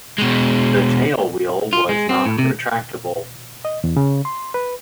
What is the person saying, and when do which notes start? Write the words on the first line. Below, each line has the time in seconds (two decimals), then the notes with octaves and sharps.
The tailwheel was not retractable.
0.18 B2 G#3
1.73 F4
1.89 G#3
2.09 C4
2.26 A2
2.38 C3
3.65 D#5
3.84 E2
3.97 C#3
4.25 C6
4.54 B4